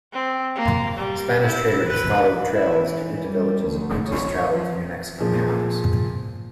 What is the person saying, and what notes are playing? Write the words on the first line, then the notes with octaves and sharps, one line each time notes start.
Spanish traders followed trails to Ute villages and Utes traveled to New Mexican towns.
C4
A#3
G3
E4
B4
E4
E3
G3
D2
C#5
F3
A#2 F3 G#4